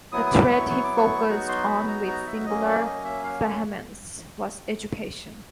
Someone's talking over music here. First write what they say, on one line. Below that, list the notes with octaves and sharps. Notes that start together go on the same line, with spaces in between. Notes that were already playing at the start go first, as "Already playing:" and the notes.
The thread he focused on with singular vehemence was education.
F#3 B3 E4 D#6
D#6
D6
C#6
C#6
D6
C#6
F#3 B3 D#4 F#4 C#6
C6
B5
A#5
A#5
E5
F#3 A#3 C#4 D#5
D5
D#5
E5
F5